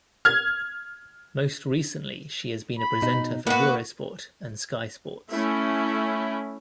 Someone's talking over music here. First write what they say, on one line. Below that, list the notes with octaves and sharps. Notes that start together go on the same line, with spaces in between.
Most recently she has been a presenter for Eurosport, and Sky Sports.
F6 G#6
B5
B2 D#4
A#3 B3 F#4 B4
A3 C#4 E4